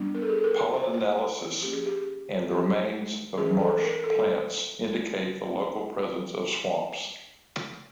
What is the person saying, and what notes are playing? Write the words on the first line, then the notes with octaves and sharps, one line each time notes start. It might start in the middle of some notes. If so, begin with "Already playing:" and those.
Pollen analysis and the remains of marsh-plants indicates the local presence of swamps.
Already playing: G3 B3 D4
A#4
A4
G#4
A4
A#4
C5
C#5
C5
F3 A#3 C#4 G4
G#4
G4
G4
E3 G#3 C#4 G#4
A4
A#4
A4